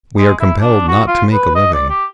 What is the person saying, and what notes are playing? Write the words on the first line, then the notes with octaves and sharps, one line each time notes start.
We are compelled not to make a living.
G#3
E4
D4
F#4
F4
B4
D#5
D5
G4